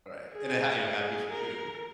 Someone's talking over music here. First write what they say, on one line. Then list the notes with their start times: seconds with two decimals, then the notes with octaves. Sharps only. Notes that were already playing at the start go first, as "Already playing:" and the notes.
Right, and, uh, how you know, happy for who?
0.32 G#4
0.82 G#4
1.32 A#4